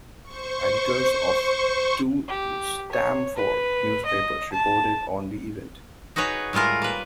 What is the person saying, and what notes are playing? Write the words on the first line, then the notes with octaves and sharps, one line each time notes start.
Editors of two Stamford newspapers reported on the event.
C5 C#6
G4
C#5
B4
D#5
A5
D#4 F#4 G#4 B4 C#5
A2 G3 G#3 F4 A#4
A#3 B4